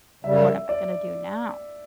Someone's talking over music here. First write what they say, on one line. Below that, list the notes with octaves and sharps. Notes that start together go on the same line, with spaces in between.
"What am I gonna do now?"
F#2 C#3 G3 E5
D5